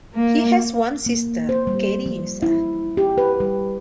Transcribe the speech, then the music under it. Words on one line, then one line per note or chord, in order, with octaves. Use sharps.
He has one sister, Katiucia.
A#3
A#3
C5
G3
F3
E4
G4
B4
G3